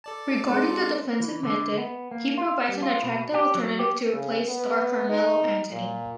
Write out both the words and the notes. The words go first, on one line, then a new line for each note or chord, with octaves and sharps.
Regarding the defensive method, he provides an attractive alternative to replace star Carmelo Anthony.
A4 D5 A5
G#3 C4 D#4 C6
E3
D3
B3
A#3
F4
G3
F4
B2
G4
F#3
G4
C#3
B3
D#4
A#2